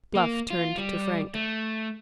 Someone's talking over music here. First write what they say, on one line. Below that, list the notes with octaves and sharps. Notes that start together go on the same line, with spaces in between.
Bluff turned to Frank.
A#3
F4
G3
A3